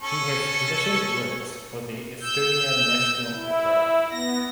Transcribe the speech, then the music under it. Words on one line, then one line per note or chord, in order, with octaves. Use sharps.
He has commissioned works for the Estonian National Opera.
C#4 A4 C#6
E6 G6
E4
B3 A#6